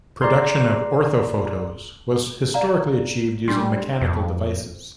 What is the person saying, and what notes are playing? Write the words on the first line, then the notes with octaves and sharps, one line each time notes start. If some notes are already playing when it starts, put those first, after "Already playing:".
Production of orthophotos was historically achieved using mechanical devices.
G#4 D5 A#5 C6
D5 F5 A#5
G3 D4 C6
F2